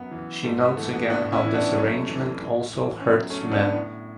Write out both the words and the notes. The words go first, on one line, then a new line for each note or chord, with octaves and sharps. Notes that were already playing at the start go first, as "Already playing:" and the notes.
She notes again how this arrangement also hurts men.
Already playing: F#2 B3
E3
G#2 A3
B3
E3 A3
B3
A2 B3 D4
C#4 E4
E3
B3 D4
F#2 A3 C#4
E3
A2
E3
C#4
F#2 B3
A3 C#4
D3
B3 D4
A2